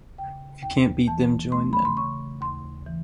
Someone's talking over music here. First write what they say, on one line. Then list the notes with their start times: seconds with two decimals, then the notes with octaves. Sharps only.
If you can't beat them, join them!
0.18 C#3 G5
0.63 D#2 G5
1.07 E3 A5
1.52 A3 C6
1.73 B5
1.85 C6
1.97 C#3 C#6
2.41 D#2 C6
2.86 E3